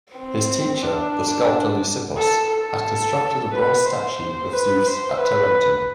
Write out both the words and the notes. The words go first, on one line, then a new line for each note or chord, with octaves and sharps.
His teacher, the sculptor Lysippos, had constructed a bronze statue of Zeus at Tarentum.
C4
D4
A4
A4
B4
C5
B4
C5
B4